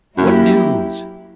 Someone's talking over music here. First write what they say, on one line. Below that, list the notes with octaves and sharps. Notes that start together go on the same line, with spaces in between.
"What news?"
F#2 F#3 A#3 E4 G4